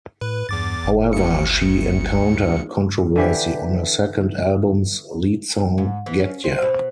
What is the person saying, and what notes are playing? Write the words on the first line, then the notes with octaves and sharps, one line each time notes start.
However, she encountered controversy on her second album's lead song Get Ya!
A2 B4
E2 G2 D6 A6
G1
D2 C#7
D3 E3 G4
G#2
E3
C#4
C4
B2